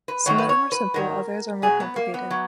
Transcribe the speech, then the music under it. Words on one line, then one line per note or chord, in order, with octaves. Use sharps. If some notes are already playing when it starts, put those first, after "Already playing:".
Some of them are simple, others are more complicated.
B4
G#2 D#3 F#3 C#5
B4
C#5
B4
G#2 D#3 F#3 A#4
B2 F#3 G#4
B3
A#3
B3
F#3